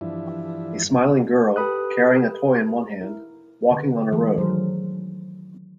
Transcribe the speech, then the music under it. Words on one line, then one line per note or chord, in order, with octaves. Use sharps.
A smiling girl, carrying a toy in one hand, walking on a road.
G2 E3 F3 D4 E4
G4 A4 B4 B5 D#6 F#6
E4 A#4
D3 B4
E3 G#3 A3 G#4 A4
D#3 F#3 G#4 A#4 C5